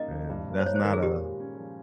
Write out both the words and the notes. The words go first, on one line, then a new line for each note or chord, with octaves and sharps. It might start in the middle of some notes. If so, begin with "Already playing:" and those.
and, that's not a
Already playing: C#3 G3 A#3 D#4 D#5
F3
G2
A#3
C5
D#4 C#5
C5
D#3 A#4
G#4
A#2 G4
G#3
C#4
F3